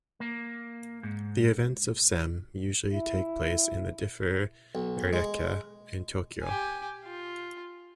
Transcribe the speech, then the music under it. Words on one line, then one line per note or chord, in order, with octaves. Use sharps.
The events of Sem usually take place in the Differ Ariake in Tokyo.
A#3
G#2
E4
B1
G#3
G4 G#5
F4